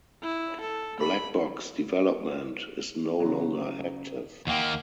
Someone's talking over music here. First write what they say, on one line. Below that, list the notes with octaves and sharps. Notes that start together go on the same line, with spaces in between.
Blackbox development is no longer active.
E4
A4
B5
C#3 F#3
D#2 A#3 F#5 G5